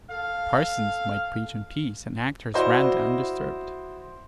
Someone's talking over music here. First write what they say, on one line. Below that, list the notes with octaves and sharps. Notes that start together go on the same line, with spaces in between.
Parsons might preach in peace, and actors rant undisturbed.
A4 F5
E4 F#4 C5 D5 D#5